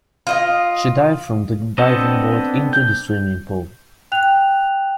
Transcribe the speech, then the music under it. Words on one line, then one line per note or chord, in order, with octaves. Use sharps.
She dived from the diving board into the swimming pool.
F4 D#5
B3 C4 D4 A4 D#5
G6
G5 F#6 F7